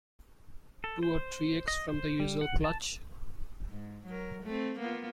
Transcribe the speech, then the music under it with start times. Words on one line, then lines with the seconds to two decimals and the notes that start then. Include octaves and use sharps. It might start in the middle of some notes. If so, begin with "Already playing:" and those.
Two or three eggs form the usual clutch.
0.84 A4
1.03 C5
1.68 D#5
1.89 C5
2.20 G3
2.41 F#5
2.64 A5
3.69 G#2
4.06 F#3 A#4
4.43 A3 C4
4.79 A#3 B3 F4